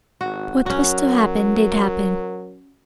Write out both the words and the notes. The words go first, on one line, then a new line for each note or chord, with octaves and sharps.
What was to happen did happen.
G#1 F#4
F#3 C#4 F#4 A#4